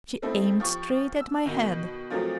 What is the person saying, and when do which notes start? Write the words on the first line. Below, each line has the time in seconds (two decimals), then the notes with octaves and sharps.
She aimed straight at my head.
0.22 A3 C4 D#4 E4 A4
0.60 F3 G4 C#6
1.20 E6
1.46 B2 D#3
2.10 A#2 F3 F#3 A3 C4 D#4